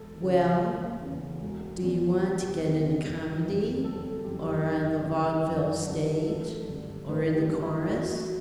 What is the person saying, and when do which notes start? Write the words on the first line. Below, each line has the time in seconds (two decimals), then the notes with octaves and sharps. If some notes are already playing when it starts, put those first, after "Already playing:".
"Well, do you want to get in a comedy or on the vaudeville stage or in the chorus?"
Already playing: E1 A4
0.20 E2 C#3 E3
0.61 E1
1.01 E2 C#3 E3
1.41 E1
1.82 E2 B2
2.22 E1 G4
2.63 E2 B2
3.04 G1
3.44 F#2 E3
3.84 G1 A4
4.25 F#2 E3 G4
4.45 G4
4.65 F#2
5.06 D3 G3
5.47 F#2
5.87 D3 G3
6.27 A1 A4
6.68 G2 D3
7.08 A1 B4
7.35 G4
7.48 G2 D3
7.62 E4
7.89 A1 F#4
8.16 F#4